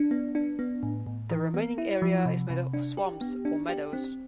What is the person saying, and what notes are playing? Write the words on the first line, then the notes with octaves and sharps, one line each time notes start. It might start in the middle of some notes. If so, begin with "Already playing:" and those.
The remaining area is made up of swamps or meadows.
Already playing: D4
B3
D4
B3
A2
A2
E3
B3
E4
F3
C3
C3
D4
G4
B3
D4
G4
C4